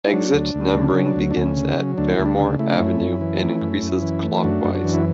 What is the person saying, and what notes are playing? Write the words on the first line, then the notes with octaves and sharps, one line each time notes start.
Exit numbering begins at Fermor Avenue and increases clockwise.
E4
F#3 D4
D2
D2
C#3 D4
F#3 D4
D4
D2
D4
D2 C#4
C#3
F#3
D2 D4
E4
D2
D4
C#3
A3 E4
D4
F#2 C#4 E4
F#2
E3
A3
F#2
F#2
E3
A3
F#2 D4 F#4
F#2
D4 F#4
E3
E4